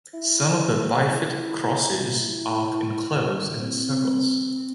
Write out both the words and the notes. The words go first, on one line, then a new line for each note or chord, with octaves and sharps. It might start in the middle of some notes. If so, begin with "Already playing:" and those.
Some of the bifid crosses are enclosed in circles.
E4
C4